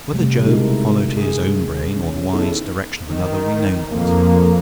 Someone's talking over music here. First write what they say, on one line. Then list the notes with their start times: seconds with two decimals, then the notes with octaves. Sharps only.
Whether Job followed his own brain, or the wise direction of another, we know not.
0.13 C3 G3 A3
0.44 B2 D3 G#3 D#4 A4 A#4
0.60 E4
1.17 G#4
1.96 D#3 C#4
2.33 B3 D#4 E4 G#4 A4
3.08 D#3
3.91 F2 A#3